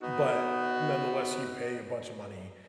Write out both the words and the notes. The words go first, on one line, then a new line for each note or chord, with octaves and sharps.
But nonetheless, you pay a bunch of money
B3 D#4 F#4